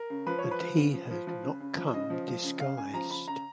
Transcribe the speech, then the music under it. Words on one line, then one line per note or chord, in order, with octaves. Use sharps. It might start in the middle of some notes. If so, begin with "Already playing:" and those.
And he had not come disguised.
Already playing: A#4
C#3
F3 B4
C#5
F3
B4
F3
C#3
F3
F3
F3
C#3
C#3
F3
C#3 D#5
F3
F3
C#3
C#3 F5
C#3 G#5
F3 A#5
C#3 B5
C#3 A#5